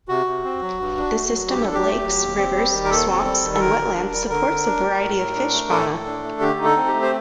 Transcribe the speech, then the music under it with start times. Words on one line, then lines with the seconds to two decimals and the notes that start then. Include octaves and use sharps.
The system of lakes, rivers, swamps and wetlands supports a variety of fish fauna.
0.09 C3 F#4
0.26 C3
0.44 C4
0.61 F#3
0.80 G2
0.97 D4
1.15 A3
1.33 F#3
1.49 G2 G4
1.62 D4 A4
1.74 G4
1.84 A3
2.03 F#3
2.20 D#2
2.37 C4
2.55 G3
2.73 D#3
2.85 A#4
2.90 D#2 A4
3.08 C4
3.25 G3
3.43 D#3
3.53 A4
3.60 D3 A#4
3.78 D3
3.95 D4
4.13 G3
4.30 D3 A#4
4.49 D3
4.66 D4
4.83 G3
5.01 A2
5.18 A2
5.35 D4
5.53 A3
5.70 A2 A4
5.88 A2
6.05 D4
6.24 A3
6.41 D3 G4
6.59 D#4
6.64 A4
6.77 C4
6.87 G4
6.93 A3
7.02 C5